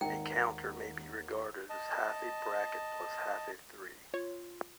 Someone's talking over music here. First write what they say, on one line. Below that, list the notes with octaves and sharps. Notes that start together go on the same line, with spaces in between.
A counter may be regarded as half a bracket plus half a three.
G#1 D#2 D#3 A#4 F#5 G5 A#5
D#5 A5
F4 C#5